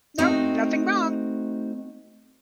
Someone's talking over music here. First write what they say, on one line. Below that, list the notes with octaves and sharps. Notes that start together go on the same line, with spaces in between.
No. Nothing wrong."
A3 C4 D#4 F#4